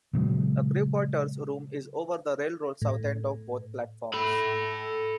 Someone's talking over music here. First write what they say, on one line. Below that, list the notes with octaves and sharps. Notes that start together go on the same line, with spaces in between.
A crew quarters room is over the railroad south end of both platforms.
A#2 C#3 F#3 G#3
A2
A4 B5